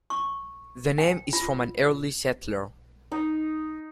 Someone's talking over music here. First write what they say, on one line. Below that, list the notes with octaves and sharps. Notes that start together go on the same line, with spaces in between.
The name is from an early settler.
C#6
G5
F4
D#4